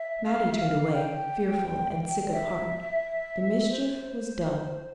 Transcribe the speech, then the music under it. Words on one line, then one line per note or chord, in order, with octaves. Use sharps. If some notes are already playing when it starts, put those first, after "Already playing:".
Mattie turned away, fearful and sick of heart; the mischief was done.
Already playing: E5
F5
E5
F5
G5
D5
E5
C5